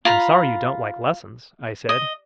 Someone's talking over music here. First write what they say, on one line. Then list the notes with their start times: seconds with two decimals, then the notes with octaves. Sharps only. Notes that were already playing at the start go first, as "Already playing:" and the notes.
"I'm sorry you don't like lessons," I said.
0.05 F4 A#5 B5
1.89 D#5